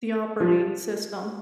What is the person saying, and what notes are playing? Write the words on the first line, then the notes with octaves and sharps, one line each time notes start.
the operating system.
F3